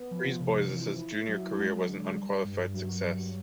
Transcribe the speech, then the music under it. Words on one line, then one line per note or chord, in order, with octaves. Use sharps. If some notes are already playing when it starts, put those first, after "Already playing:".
Brisebois's junior career was an unqualified success.
Already playing: B3
F3
C3
E3
E4
F#3
G#3
D3
G3
G2
F#3
G2